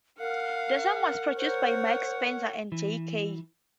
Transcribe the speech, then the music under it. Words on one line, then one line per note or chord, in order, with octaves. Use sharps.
The song was produced by Mike Spencer and Jay Kay.
A#4 F5 F#5
C5 C#5 F#5
E3